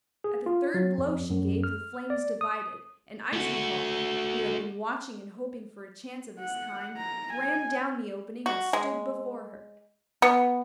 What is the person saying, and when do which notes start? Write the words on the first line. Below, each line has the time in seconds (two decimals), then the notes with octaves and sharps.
At the third blow she gave the flames divided, and Eisenkopf, who had been watching and hoping for a chance of this kind, ran down the opening and stood before her.
0.24 G#4
0.46 F4
0.74 F#3
0.98 F2
1.30 F#2
1.64 F6
2.10 D5
2.41 D#6
3.33 A3 F#4
6.40 F#5
6.97 A#5
7.33 G#5
8.46 F#4
8.73 G#3
10.22 B3